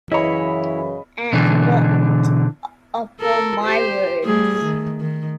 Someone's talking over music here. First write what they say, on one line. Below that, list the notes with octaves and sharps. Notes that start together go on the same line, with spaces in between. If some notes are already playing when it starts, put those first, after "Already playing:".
And not upon my words.
F#2 C#3 E3 E4 C#5 D#5 B5
B2 D3 E3
A4 A#4
G4 C5
G3 A3 G#4
D#3
D#3